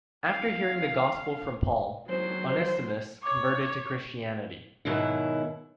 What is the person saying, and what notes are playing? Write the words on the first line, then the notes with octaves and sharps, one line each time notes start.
After hearing the Gospel from Paul, Onesimus converted to Christianity.
F5
F#3 C5
C#5 D6
G#2 B2 D#3 F#3 E4